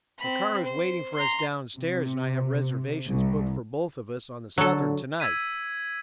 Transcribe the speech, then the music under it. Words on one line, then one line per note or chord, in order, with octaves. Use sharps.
A car is waiting for us downstairs and I have reservations booked for both of us on the Southern to-night.
C4 B5
C5
A#5 C6
C3
C2
D3 F#3 A4
E6 G#6 B6 D#7